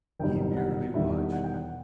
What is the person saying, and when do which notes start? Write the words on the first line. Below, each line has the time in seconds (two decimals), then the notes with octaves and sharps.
He merely watched.
0.19 F#1 E2 C3 D#3 G3 G5
0.57 F#5
0.94 E1 E2 D#3 G3 E5
1.32 F#5
1.44 G5
1.54 F#5